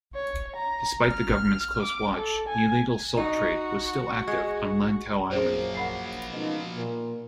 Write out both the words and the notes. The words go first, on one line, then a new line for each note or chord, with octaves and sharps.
Despite the government's close watch, illegal salt trade was still active on Lantau Island.
C#5
A#5
F6
D6
A4
G#5
D#4 F#4
G#3
F#2 A#2 F3 A#3 G#4 C5
F#5 B5 C7
C#2 B2 D#4
A#2